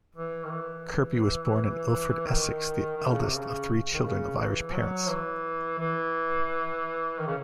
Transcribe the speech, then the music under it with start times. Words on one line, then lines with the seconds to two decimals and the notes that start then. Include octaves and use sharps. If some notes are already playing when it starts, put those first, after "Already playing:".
Kirby was born in Ilford, Essex, the eldest of three children of Irish parents.
0.16 E3
0.45 D#3
0.51 E3
2.27 D#3
2.97 D#3
3.10 C#3
3.23 C3
3.36 C#3
3.94 D#3
4.03 C#3
4.38 E3
4.73 F#3
5.08 E3
5.79 E3
7.19 D#3
7.27 C#3